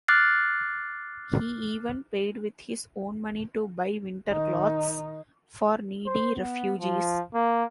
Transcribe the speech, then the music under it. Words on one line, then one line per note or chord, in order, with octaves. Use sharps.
He even paid with his own money to buy winter clothes for needy refugees.
D6 F6 F#6 A6 C7
D#3 D#4
C5
B3
F3
A#3